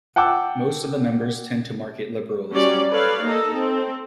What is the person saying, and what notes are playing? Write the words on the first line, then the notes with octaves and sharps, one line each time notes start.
Most of the members tend to market liberalism.
F#5 G5 A5 D6 E6
F#3 G3 C#4 D5
A4 B4 C#5 D5 F5
A#3 D#4 A4 D#5
C4 A4